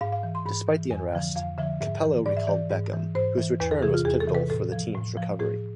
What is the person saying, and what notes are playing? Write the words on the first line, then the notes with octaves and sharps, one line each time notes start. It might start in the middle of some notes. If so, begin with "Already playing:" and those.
Despite the unrest, Capello recalled Beckham, whose return was pivotal for the team's recovery.
G#2 F5
F5
E3
C6
G#2 B5
E3
F2 G#5
D3 F3
F2 F5
D3 F3 E5
G#2 E5
E3
G#2 D5
E5
E3 D5
G#2
E3
G#2 C5
E3
E2 B4
A4
C3 E3 G#4
F4
E2 G#4
A4
C3 E3
B4
A2 A4
F3
A2
F3
A2 G#4